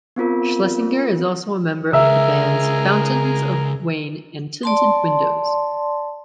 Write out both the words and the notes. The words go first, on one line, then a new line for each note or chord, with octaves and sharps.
Schlesinger is also a member of the bands Fountains of Wayne and Tinted Windows.
B3 C4 F4 A#4
C#2 G#4 A#4 E5 E6
D5 A5 C6